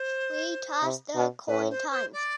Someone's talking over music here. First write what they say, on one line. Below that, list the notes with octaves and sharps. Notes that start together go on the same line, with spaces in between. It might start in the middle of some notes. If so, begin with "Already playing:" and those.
We toss the coin times.
Already playing: C5
C3
B2
A2 B4
C5
C5
D5